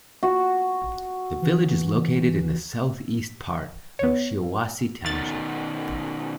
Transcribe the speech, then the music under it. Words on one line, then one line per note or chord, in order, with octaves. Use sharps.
The village is located in the southeast part of Shiawassee Township.
F#4
E3
B3 C#5
B2 D#3 A6